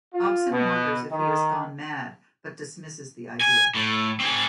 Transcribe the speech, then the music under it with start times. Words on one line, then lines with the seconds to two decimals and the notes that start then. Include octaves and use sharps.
Hobson wonders if he has gone mad, but dismisses the idea.
0.14 F4
0.51 B2
1.10 D#3
3.41 G#5
3.74 A2
4.20 C4 G#4